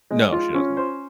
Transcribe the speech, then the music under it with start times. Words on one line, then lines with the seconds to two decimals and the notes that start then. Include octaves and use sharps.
No, she doesn't. She
0.11 G#3
0.33 F4
0.55 C#4
0.77 C5